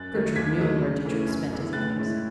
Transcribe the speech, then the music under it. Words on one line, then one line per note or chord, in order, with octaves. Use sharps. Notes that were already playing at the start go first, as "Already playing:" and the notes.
Gertrude knew where Dietrich spent his evenings.
Already playing: F#2 F#6 A6
D#3 F#3 A3
D#2 G#6 B6
D#3 F#3 A3 D#4
C#3
E3 A3 C#4
F#2
C#3 E3 B3
A2 F#6 A6
G#3 C#4 E4